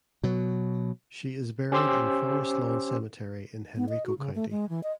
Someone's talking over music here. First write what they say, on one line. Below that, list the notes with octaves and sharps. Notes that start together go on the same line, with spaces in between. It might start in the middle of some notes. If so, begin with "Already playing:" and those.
She is buried in Forest Lawn Cemetery in Henrico County.
B2 F#3
C#4 G4 C5 C6 D6 E6
B3
D#5
F#4
C#3
A3
G#3
E3
D#5